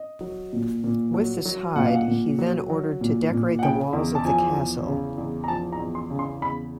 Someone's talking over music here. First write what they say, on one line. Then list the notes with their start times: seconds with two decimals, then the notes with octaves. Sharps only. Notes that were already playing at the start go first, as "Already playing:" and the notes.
With this hide he then ordered to decorate the walls of the castle.
Already playing: D#5
0.21 F#3
0.53 A#2
0.84 A#2
1.14 F#3
1.45 F#3
1.76 A#2 F#5
1.86 F5
1.95 F#5
2.08 A#2
2.39 F#3
2.70 F#3
3.01 A#2
3.31 A#2
3.59 F#5
3.63 C#3 G5
3.93 E2
4.15 A5
4.25 F3 G#5
4.56 E2
4.87 C#3
5.18 E2
5.44 A#5
5.48 F3 A5
5.72 A#5
5.79 E2
5.95 C6
6.10 C#3
6.19 C6
6.41 E2 B5